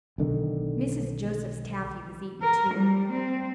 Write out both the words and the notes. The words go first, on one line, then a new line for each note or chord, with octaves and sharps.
Mrs. Joseph's taffy was eaten too.
B1 D3 D#3
A#4
G3
C4